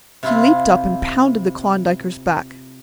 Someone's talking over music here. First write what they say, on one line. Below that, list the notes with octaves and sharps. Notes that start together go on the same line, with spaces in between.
He leaped up and pounded the Klondiker's back.
C3 E4 F4